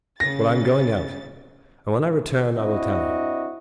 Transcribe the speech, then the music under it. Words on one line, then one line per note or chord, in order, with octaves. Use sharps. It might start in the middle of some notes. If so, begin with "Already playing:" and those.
"Well, I am going out, and when I return I will tell you."
C#3 A6 A#6
C4 D4 E4 F#4 D#5